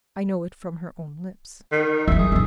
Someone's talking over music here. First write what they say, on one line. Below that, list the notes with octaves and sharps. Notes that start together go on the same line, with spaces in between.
I know it from her own lips.
D#3
E3 F#3 E5
G#4
D#1 G3